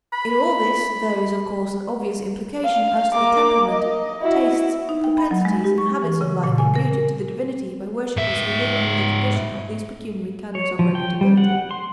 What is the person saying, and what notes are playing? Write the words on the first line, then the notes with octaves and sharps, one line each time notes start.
In all this there is of course an obvious implication as to the temperament, tastes, propensities, and habits of life imputed to the divinity by worshippers who live under the tradition of these pecuniary canons of reputability.
B5
F5
A#3 D6
D#5
E4 F#4
D#4
G5
B5
F#3
G#3
G4
C#6
E3
C#3
A#2
G#5
A#4
G#2 E5
C#5
F3
G5
G3
F#5
C6